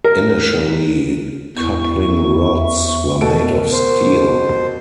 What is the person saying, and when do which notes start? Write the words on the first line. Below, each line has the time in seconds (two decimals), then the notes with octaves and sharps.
Initially, coupling rods were made of steel.
0.04 A#4
1.57 E2 E4 C#6
2.55 E5
3.21 B2 A4 A#4 D7
3.72 C5